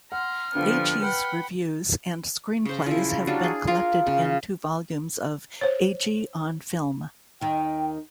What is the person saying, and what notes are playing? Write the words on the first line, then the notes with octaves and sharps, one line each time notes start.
Agee's reviews and screenplays have been collected in two volumes of "Agee on Film".
F#5 A#5 C6 F6
D3 F3 G3 B3 F4 C5
B4 F#5 G5 B5
C#3 C5
F3 E4
F#3 G3 D4 F4
G#4
F4 A#4 F5
C#3
C5 C#5
D#2 D#3 G5